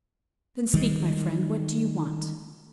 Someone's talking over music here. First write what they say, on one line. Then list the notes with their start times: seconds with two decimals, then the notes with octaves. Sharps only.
"Then speak, my friend; what do you want?"
0.73 D#3 G3 G#3